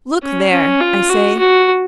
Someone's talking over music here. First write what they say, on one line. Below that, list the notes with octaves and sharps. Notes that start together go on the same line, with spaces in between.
"Look there!" I say.
C#4
C#4
F4
F#4
F#4